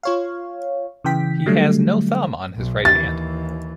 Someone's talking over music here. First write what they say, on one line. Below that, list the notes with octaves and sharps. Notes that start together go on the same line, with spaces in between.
He has no thumb on his right hand.
F4 C#5 F5
C#3 E3 G5 B6
D3 F#3 G3 A3
B1
D#2 E3 A6